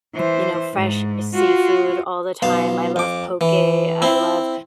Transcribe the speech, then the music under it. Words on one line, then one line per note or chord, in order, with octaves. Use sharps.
you know, fresh seafood all the time. I love poke, I love,
E3 C5
G#2
F4 F#4
B1 F5 A5
F2 D6
E3
C4 E4